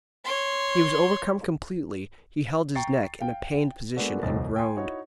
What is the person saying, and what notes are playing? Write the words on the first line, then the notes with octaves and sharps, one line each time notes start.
He was overcome completely; he held his neck in a pained position and groaned.
C#5 C6
G5 A#5 C#6 A6 C7 C#7
F5 G5
G#3 A#3 B3 D4 F#4 A4
D#1 C2 F2 C5 D#5 A6
G5 G#5 C6
D#4 E4 F#4 C#5